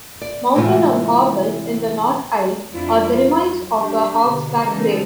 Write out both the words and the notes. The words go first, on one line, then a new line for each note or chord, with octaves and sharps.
Mounted on corbels in the north aisle are the remains of a hogsback grave.
D5
A2 C3 E3 G#3 A3 F4
F2 D4 E4 F4
F4
F#3
D4 G4
B2 D3
C#3 E3 G3 G#3 D#4 A4